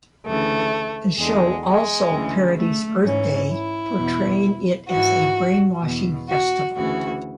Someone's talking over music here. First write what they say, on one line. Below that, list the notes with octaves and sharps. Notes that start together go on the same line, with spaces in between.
The show also parodies Earth Day, portraying it as a brainwashing festival.
D2 C#3 E3 A3
E2 D3 G#3
G#3
D2 C#3 E3
A3
G#2 E3 C#4
E4
E2 B2
G#2 E3 F#4
E2 B2
F#4
D2 C#3 E3 F#4